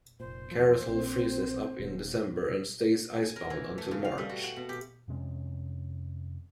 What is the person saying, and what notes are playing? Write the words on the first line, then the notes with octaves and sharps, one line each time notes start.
Karatal freezes up in December and stays icebound until March.
F1 A#2 C5
E2 A2 F3
A#1 C4
D#1 B3
G#5
A#4
E3
A3
C#3
F5
G3
F#4
F#5
B2
G4
F2 C3 G#3 C#4